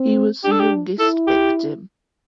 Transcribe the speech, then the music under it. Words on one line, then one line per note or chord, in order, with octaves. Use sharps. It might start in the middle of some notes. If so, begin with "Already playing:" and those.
He was the youngest victim.
Already playing: C4
D4 G4
A4
G4
E4 A4
G4